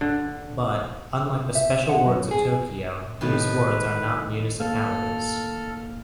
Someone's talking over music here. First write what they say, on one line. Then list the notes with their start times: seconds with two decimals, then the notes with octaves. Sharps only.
But, unlike the Special wards of Tokyo, these wards are not municipalities.
0.01 D3
1.55 E5
1.89 F#5
2.06 F#2
2.31 G#4
3.21 A2 D#3 B4
4.60 A#3 A4 F5 F6